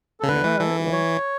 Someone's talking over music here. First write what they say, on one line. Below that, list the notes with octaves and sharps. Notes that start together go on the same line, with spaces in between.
like, "Alright, well"
C#3 A4
D3 B4
E3
E3 A4
C#5